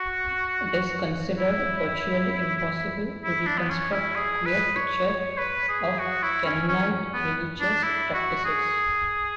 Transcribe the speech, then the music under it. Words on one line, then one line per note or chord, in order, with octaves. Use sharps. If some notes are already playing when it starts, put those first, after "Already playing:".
It is considered virtually impossible to reconstruct a clear picture of Canaanite religious practices.
Already playing: F#4
E4
E4
D4
B3
C#4
E4
G#4
B4
C#5
C#5
B4
G#4
F#4
E4
C#4
C#4
B3
D4
E4
F#4
G#4